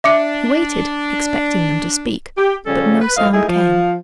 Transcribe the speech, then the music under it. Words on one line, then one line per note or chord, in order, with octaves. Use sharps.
He waited, expecting them to speak, but no sound came.
D4 E5 D6 C#7
G4
C#3 F3 G3 C#4 A4
B4
A2 F3 D#5 F5
A3 D#4 E4 G#4
F3